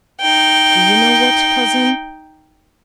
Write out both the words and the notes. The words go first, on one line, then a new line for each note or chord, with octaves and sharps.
Do you know what, cousin?
D#4 G5